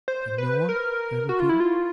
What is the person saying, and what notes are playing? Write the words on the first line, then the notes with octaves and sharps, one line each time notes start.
'A new one?' I repeated.
C5
B4
A#4
F#4
F4
E4
F4